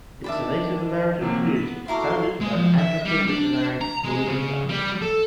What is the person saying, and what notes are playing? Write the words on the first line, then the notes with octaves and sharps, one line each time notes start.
It’s a native American community founded by the Anglican missionary William Duncan.
D#3 D4 E5 A5 B5
C3 F#3 A#3
B3 B6
E4 F#4 A4 F5 A#5 C6 D6
G#3
F3
E5
G3
D4
A#5
G#3
C#3
G3
A4